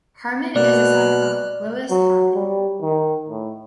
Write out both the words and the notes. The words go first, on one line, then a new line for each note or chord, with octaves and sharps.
Harman is the son of Willis Harman.
B2 A#3 D5 F6 F#6
F#3
G3
D#3
A2